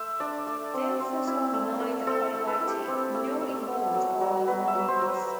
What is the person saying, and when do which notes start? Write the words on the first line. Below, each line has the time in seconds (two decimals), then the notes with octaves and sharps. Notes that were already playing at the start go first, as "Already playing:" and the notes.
Those that are neither highlighted nor in bold are the nominees.
Already playing: A3 C5 E5
0.20 D4 D5
0.47 A3
0.74 C4
1.00 C4
1.27 E4
1.53 A3
1.80 A3
2.07 C4 A4
2.35 A3
2.47 B4
2.60 E4
2.67 G4
2.88 C4
3.14 A3
3.41 A3
3.68 B3
3.94 F#3
4.21 F#3
4.48 B3 B4
4.68 E5
4.75 F#3
4.88 C5
5.01 F#3
5.08 B4